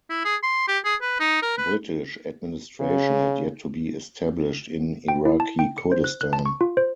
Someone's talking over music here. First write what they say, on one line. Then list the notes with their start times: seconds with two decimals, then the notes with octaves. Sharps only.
British administration had yet to be established in Iraqi Kurdistan.
0.10 E4
0.25 G#4
0.43 C6
0.68 G4
0.85 G#4
1.02 B4
1.20 D#4
1.42 A#4
1.58 B4
2.80 C#3
5.08 G5
5.25 E4
5.40 A5
5.59 G5
5.78 C#7
5.92 C5
6.04 F#6
6.21 F#6
6.33 A5
6.46 C#6
6.61 F4
6.77 C5